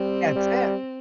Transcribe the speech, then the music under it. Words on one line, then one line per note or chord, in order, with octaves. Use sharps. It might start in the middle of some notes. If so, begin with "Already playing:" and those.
That's it.
Already playing: G3 C4
G3